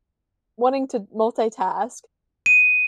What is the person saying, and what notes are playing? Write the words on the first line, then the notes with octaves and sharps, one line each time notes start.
wanting to multitask,
D#7